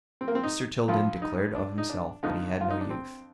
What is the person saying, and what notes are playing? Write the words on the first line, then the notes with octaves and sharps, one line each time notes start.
Mr. Tilden declared of himself that he had no youth.
C4
A#3
C4
D#4
G2 F3 F4
D#4
D4
D#4
D4
F2 D3 F3 D#4
F4
D#4
D4
C4